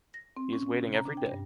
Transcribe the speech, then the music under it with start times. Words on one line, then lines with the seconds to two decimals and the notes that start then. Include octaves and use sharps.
He is waiting every day.
0.14 A#6
0.37 C4
0.53 C#4
0.67 C#4
0.82 C3
0.94 A#5
1.05 D4
1.17 G5
1.32 G2